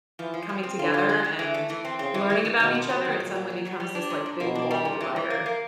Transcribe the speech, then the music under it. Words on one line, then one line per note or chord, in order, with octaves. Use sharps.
coming together and learning about each other, it suddenly becomes this like big wall divider.
E3 F3
F3
F3
C4
D3 F4
F4
G#3
G#3
E3
A3
E3
C4
C#3 C4
E3
E3
E3
B2 D#3
C3
F#3
D#3
A#2 F#3
F#3
F#3
F#3
G3
D4
A#2
A#2
B2 A#3
D4
G3
A#2
E3
E3
A#3
A#3